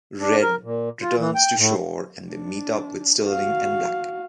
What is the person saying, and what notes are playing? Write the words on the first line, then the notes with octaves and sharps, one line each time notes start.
Red returns to shore and they meet up with Sterling and Black.
D4
A#4
A#2
F4
E3
G5
A2
D4
F#4 F5